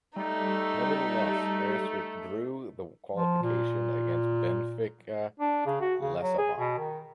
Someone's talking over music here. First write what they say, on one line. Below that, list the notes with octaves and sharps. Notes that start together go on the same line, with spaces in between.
Nevertheless, Aris withdrew in the qualification against Benfica Lissabon.
G3 A3 D#4
F3
A#2
D4
C#3
F#4
C#3
F#3
G#4
B2
D#3